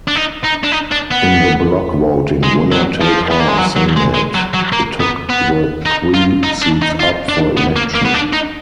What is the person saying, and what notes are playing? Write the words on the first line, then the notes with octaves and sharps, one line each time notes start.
In the bloc-voting winner-take-all Senate, it took the three seats up for election.
D4
D#4
D#4
D4
D#4
D4
B3
G#3
F#3
F3
B3
A#3
G#3
F#3
F#3
G#3
G#3
F#3
F#3
A#3
B3
B3
D#4
F4
D#4
D4
D#4
F4
D4
B3
A#3
A#3
B3
D4
D#4